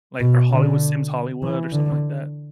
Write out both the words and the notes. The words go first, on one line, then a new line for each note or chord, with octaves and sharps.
Like a Hollywood Sims Hollywood or something like that?
B2
D3
E3
D3